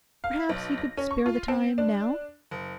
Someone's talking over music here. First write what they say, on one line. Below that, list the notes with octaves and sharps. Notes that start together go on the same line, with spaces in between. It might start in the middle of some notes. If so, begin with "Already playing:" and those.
Perhaps you could spare the time now?'
F5
B1
A#6
C#4
C#6
F4
C4
D4
F#1